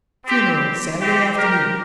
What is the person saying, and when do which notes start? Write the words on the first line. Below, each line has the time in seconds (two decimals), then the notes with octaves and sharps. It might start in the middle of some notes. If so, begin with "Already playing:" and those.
Funeral Saturday afternoon.
0.24 C4 G4
1.00 C4 G4
1.36 G4 A#4